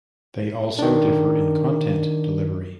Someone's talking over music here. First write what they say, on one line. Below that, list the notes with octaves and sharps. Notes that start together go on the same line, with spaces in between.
They also differ in content delivery.
D#3 D4